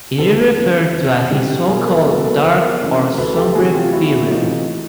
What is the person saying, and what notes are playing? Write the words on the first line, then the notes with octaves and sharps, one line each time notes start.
It is referred to as his so-called dark or sombre period.
D2 A4 B4
C#3 F3
F2
D3 G3 C4
B1 G#4 A#4
A4 B4
B2 F#3 A#3 A4 B4
A4 B4
E2 A#4 C5
C#3 E3 A3 C#4
D2 A4 B4
G4 A4
C3 E3 A3 F#4 G#4
F4 G4
E2 E4 F#4
C3 E3 A3 D#4 F4